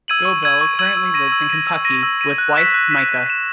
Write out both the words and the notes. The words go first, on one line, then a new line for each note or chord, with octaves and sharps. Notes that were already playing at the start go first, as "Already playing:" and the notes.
Goebel currently lives in Kentucky, with wife Micah.
E6 G#6 D#7 F#7
C#6
E6 G#6 D#7 F#7
C#6
E6 G#6 D#7 F#7
E6
A#6 D#7
E6
A#6 D#7
E6
A#6 D#7
E6
A#6 D#7
F#6
B6 E7
F#6
B6 E7
F#6
B6 E7